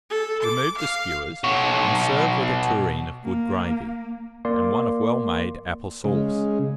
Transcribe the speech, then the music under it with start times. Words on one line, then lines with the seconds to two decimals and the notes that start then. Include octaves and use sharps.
Remove the skewers, and serve with a tureen of good gravy, and one of well-made apple-sauce.
0.10 A4
0.42 D6
0.78 F5
1.44 B2 C#5
3.24 A#3
4.45 A#3 D5 C6
6.04 C#3 G#3